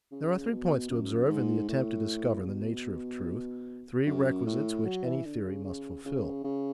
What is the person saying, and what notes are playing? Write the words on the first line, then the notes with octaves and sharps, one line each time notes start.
There are three points to observe in the attempt to discover the nature of truth, three requisites which any theory must fulfil.
C#3
B2
F#2
G#2
A2
C#3
B2
F#2
A2
F#3
E3
D3
C#3
C#3
C#3
C#3